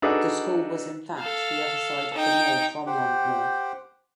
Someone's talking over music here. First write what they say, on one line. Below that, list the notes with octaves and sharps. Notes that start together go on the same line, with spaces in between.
The school was in fact the other side of the moor from Longmoor.
D4 D#4 F#4 G#4 A4 B4
A4 F5
D#4 G5
G4 C5 F#5 G5